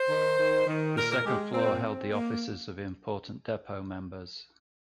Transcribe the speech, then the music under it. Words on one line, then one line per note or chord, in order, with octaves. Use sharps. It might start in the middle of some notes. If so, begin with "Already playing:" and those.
The second floor held the offices of important depot members.
Already playing: C5
D#3
D#3
D#3
A#2 A#4
A#4
G#3 G4
A#2 C4
C4
A#3